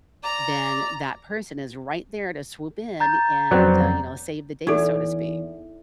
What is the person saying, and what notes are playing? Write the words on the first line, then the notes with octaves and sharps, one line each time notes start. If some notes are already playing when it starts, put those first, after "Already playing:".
then that person is right there to swoop in and, uh, you know, save the day, so to speak.
D5 A#5
A#5 G6 A6
F2 F#3 B3 C4 D5
E2 D#4 A4